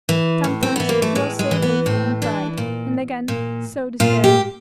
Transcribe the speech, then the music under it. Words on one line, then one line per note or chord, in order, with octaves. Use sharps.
Sometimes he was so hopeful and bright, and again so despairing.
E3
A2
C4
E3 B3
A#3
A3
A2 G#3
G#3
E3
B3
A2 C4
E3 D4
A#2
A#2
A#2 F4
G4